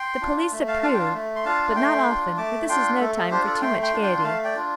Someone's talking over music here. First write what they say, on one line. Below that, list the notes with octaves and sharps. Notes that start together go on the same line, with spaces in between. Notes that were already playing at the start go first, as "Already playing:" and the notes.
The police approve--but not often, for this is no time for too much gaiety.
Already playing: G5 C6
D4 F4
A3
F5 A5
D4 F4 F5 A5
G5
F5 A5
A3
C6
D4 F4 F5 A5
A3 G5 C6
D4 F4
A3 A5 D6
D4 F4 G5 C6
A3 A4
A4
D4 F4 G4 C5
A4 D5
A3 G5 C6
G5 C6
D4 F4
G5 C6
C6
A3 F5 A5
D5 G5
D4 F4